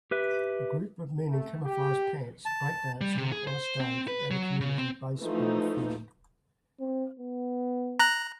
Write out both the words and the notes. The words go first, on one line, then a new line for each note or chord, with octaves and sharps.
A group of men in camouflage pants, breakdancing on a stage at a community baseball field.
G4 B4 E5
A3
G4
A5
G3
C3
G#4
C5
C4
B4
F#3
C#3
C4
E3 F3 A3 D#4
C4
B3
A#5 F#6